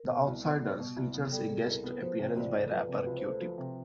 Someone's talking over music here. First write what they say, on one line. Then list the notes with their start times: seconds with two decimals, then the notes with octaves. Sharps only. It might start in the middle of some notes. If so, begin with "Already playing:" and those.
"The Outsiders" features a guest appearance by rapper Q-Tip.
Already playing: A#4
0.10 B2
0.27 C2
0.45 B3
0.62 G3
0.80 B2
0.96 C2
1.14 B3
1.31 G3 A4
1.49 B2 G#4
1.66 C2 A#4
1.84 B3 B4
2.01 F3 C5
2.19 C3
2.36 C#2 D5
2.54 A3
2.71 F3 B4
2.88 C3
2.94 B4
3.06 C#2
3.17 C5
3.23 A3
3.40 F3
3.58 C3